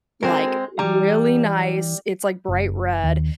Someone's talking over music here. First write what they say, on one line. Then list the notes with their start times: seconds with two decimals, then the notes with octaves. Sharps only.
like, really nice, it's like bright red
0.23 G#3 C4 F#4 A4 A#4
0.79 E3 G3 A#5
2.48 F#1
3.04 D#2